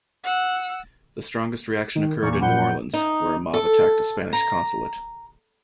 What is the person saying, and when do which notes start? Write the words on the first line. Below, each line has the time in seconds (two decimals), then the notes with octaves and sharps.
The strongest reaction occurred in New Orleans, where a mob attacked the Spanish consulate.
0.23 F#5 E6
1.95 D#3
2.22 E2 A#2 A#3 C#6
2.42 A#2 F3 F#5 B5 G6
2.93 D#4
3.54 A4
4.33 A#5